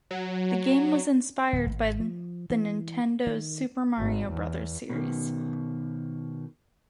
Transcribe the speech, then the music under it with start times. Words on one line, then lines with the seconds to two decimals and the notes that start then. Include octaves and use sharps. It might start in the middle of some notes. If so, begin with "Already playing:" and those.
The game was inspired by the Nintendo's "Super Mario Brothers" series.
0.11 F#3
1.53 D1
1.69 G#1
2.00 F3
2.50 E3
3.27 D#3
3.98 G#1
4.29 E2
4.90 B2 D#3